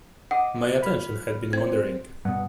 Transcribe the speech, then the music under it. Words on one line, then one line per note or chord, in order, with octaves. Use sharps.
My attention had been wandering.
D#5 F#5 D6 D#6
B5 F6
C4 C5 G#6
G2 B2 F#5